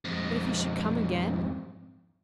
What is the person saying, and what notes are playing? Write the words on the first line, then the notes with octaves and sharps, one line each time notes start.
"But if he should come again?"
F2 G#2